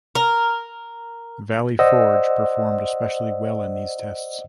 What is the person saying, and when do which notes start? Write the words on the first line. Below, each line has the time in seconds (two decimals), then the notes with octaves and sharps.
'Valley Forge' performed especially well in these tests.
0.15 A#4
1.79 C5 D5 D#5 F#5 E6